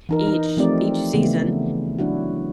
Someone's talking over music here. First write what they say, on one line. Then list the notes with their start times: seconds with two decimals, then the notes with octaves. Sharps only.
each each season,
0.09 E3 D#4 A#4
0.27 D#4
0.57 F3 A3 C4 G4 D5
1.14 C#3 E3 A3 B3
1.99 F#3 D4 E4 F#4